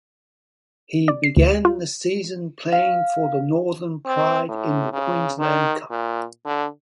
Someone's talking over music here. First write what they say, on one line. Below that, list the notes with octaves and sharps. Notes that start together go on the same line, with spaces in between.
He began the season playing for the Northern Pride in the Queensland Cup.
D5
C7
D2
F4
F5
C4
A2
C#3
D#3
A#2
D3